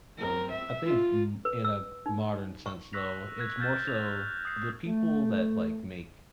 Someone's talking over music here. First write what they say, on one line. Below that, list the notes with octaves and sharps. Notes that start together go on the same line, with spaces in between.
Um, I think m in a modern sense though, it's more so the people that, like, make
C4 A#4
E5
F4
B4
E6
D#4
C#6
C#6 E6 F#6 A#6 B6 F7
F#6 G#6 A#6
F6 G6 A6 E7
G#6 B6 F7
D#6 A#6 C7
A3